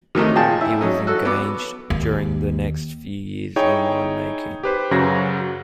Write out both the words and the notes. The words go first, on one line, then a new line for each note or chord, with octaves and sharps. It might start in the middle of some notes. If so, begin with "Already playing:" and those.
He was engaged during the next few years in wine-making.
C3 D#3 A3 D#4
A#2 G#4 G5 A5
E4
F#3 C#4 D#4
F#4 A4
B3 D6
D#2
D#4 E4 G#4 C#5 G5
G4 B4 C5
F#2 C#3 F#3 F#4 G#6 A#6